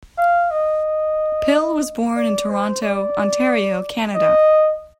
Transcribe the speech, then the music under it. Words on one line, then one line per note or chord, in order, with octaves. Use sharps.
Pill was born in Toronto, Ontario, Canada.
F5
D#5
D5
C5
D5
D#5